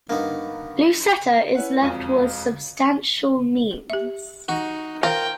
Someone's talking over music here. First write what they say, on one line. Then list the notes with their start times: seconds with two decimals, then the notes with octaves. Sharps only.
Lucetta is left with substantial means.
0.10 G2 A#3 B3 D#4
1.55 C#4 E4 B4 F#5
1.81 E1 F2 F4 D#7
3.90 G4 E5
4.49 D#4 F#4
5.03 F4 A#4 C5 G5